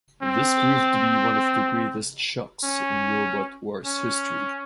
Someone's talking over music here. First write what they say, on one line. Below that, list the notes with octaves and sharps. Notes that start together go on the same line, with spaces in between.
This proved to be one of the greatest shocks in Robot Wars history.
C4
C#4
C#4